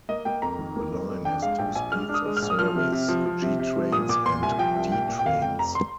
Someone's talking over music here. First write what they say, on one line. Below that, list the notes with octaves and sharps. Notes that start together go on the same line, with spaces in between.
The line has two speeds of service, 'G' trains and 'D' trains.
A#3 D#5
A#3 G5
F2 A#5
D#3
A#3
F2
F2
D4 G5
G#3 F5
A#1 G5
A#1 G#5
G#3 F6
D4
D#6
G#3
F6
A#1
D#6
F3 F6
C3
C3
F3
F3
C3
C3
F3
A#2 D#6
A#2 D6
A#2 C6
C2 G#5
F3 G5
C2
A#2 G5
A#2
G5
F2 F5
F2 G5
F1 A#5
C6